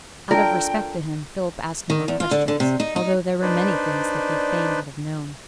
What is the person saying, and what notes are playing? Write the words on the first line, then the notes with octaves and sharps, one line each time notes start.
Out of respect to him, Philip asked no more questions although there were many things that he fain would have known.
D4 F4 A4 A#4 D5 G5
D#3
E2
F4
D3
D3
C3
D#4
D#4
D4 D#4 B4 C5 D5